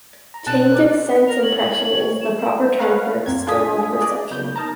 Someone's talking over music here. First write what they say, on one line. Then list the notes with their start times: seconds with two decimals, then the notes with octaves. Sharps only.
Change of sense-impression is the proper term for external perception.
0.34 A#5
0.47 B2 D4 A5 F#6
0.71 A#4 D5
1.27 A#4 F7
1.43 C#5 F#7
2.21 E7
2.78 A#4 B4 C#5 F5 F#5
3.26 F#2 A#3 C4 G#6
3.47 D4 F4 A4 G#5 D#6 B6
4.01 D4 G#4 D5 D#5
4.31 C#3 F#3 B3 G6
4.56 D#4 A#4 A5 A#5